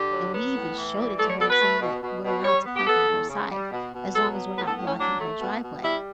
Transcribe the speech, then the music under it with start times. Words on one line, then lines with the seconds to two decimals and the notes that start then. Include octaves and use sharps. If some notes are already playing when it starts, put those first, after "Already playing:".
and we even showed it to her saying that we're allowed to park on her side as long as we're not blocking her driveway.
Already playing: D3 G4
0.12 F#3
0.33 B3
0.55 A2
0.76 E3
0.97 G3
1.18 A3 A4
1.29 C#5
1.39 B2 A4
1.50 B4
1.60 A3
1.81 B2
2.02 B2
2.23 B2
2.45 G3 C#5
2.66 B3
2.76 G4
2.87 B3 A4
3.08 E2
3.30 C#3
3.51 G3
3.72 B2
3.92 B2
4.14 F#3 A4
4.35 B3
4.56 A2 B4
4.67 A4
4.77 A2
4.87 C#4
4.98 F#3 D4
5.19 A3
5.41 B2
5.62 B2
5.83 G3 E4